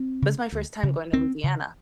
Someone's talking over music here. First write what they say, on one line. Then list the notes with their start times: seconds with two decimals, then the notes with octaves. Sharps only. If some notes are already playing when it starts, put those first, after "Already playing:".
That's my first time going to Louisiana.
Already playing: C4
0.22 C#3
0.52 D2
0.83 C#3
1.13 D2 C4
1.43 C#3